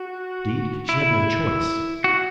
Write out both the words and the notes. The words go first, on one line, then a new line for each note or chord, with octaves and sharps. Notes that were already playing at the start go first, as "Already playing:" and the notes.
Indeed, she had no choice.
Already playing: F#4
E4
F#4